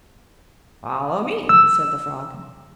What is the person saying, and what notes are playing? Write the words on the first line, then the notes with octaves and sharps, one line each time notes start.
"Follow me," said the frog.
E6